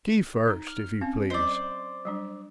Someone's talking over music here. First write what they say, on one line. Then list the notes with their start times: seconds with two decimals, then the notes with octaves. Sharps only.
Tea first, if you please!
0.48 D#4 A#5
0.67 F6
1.01 C4 C#4 F5
1.30 F#3 C5 D5 D#5
2.05 F#3 G3 D4